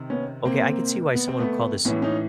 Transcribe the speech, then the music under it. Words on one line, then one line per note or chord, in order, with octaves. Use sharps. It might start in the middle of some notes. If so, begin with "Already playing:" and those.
"Okay, I could see why someone would call this
Already playing: C3 D#3
B3 C#4
A#3 C4
B3
C4
A3 B3
A2 E3 B3 C#4
C#4 D#4